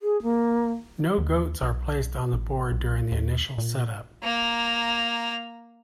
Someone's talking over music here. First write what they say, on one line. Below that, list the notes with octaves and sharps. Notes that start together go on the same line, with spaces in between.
No goats are placed on the board during the initial setup.
G#4
A#3
D#2
B1
A1
B1
D#2
A#2
A#3 A#5